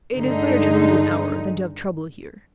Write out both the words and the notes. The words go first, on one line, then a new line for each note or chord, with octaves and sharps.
"It is better to lose an hour, than to have trouble here."
G2 D3 G#3 D#4